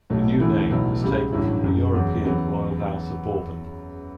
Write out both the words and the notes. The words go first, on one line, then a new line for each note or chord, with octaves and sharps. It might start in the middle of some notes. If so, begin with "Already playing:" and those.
The new name was taken from the European royal House of Bourbon.
B1 A2 F#3 A3
D2 C#3 E3 A3 E4
B1 A2 F#3 B3 E4
C#2 C#3 G3
A1 G2 F#3 C#4 E4
F#1 F#2 C#3
E2 C#3 F#3
E2 C#3 F#3 B3